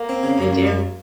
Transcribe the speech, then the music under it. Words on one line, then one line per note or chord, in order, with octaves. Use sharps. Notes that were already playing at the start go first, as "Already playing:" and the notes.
They do.
Already playing: A#3
C4
C#3
F#2
F#2
F#2